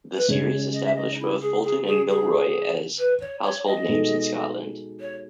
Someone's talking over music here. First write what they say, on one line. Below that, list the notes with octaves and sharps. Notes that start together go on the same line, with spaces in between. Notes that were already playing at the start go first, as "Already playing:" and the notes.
The series established both Fulton and Milroy as household names in Scotland.
B4
C#3 G#3 C#4 C#5
D#5
E5
D#5
D#4
E4
G#4
G#4
G#4
G#4
B4
C#5
C#5
D#5
B2 G#3 D#4 A4
C#5